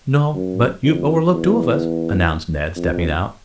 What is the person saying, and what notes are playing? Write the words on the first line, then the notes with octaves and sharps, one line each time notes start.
"No, but you've overlooked two of us," announced Ned stepping out.
F#2
F2
E2
F2